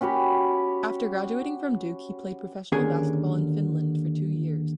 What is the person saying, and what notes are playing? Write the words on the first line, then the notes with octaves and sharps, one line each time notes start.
After graduating from Duke, he played professional basketball in Finland for two years.
C#4 F#4 G4 B5
D#2 D3 C#4 G#4 A#4 G#5